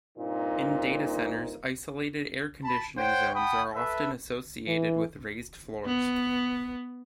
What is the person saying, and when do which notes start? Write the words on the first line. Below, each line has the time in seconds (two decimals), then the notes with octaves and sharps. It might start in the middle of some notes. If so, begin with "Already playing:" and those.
In data centers, isolated air-conditioning zones are often associated with raised floors.
0.18 G2 A#2 A#3 C4 D#4
2.64 A5 B5
2.98 C5 C#5 F#5 G5
3.34 F#5 G5 A5 B5 D#6
3.74 A4 B4 E5
4.68 E3
5.86 B3